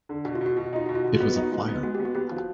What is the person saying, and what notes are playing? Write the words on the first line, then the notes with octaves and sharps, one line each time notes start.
It was a fire.
D3
B2 F#4
F4
B2
F#4
B2 F4
F#4
D#4 F4
B2 F#4
F4
B2 F#4
F4
B3 F#4
D#4 F4
F#4
G#3 F4
B3
G#3 F#4
G4
B3
F#4
B3 G4
F3
F#4